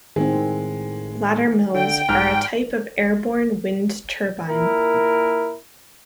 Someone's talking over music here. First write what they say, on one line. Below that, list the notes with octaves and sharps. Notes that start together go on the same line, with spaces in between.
Laddermills are a type of airborne wind turbine.
A2 D#3 G#3 C4
D3 G5
B1 G#2 F6
A#2 E4 A#4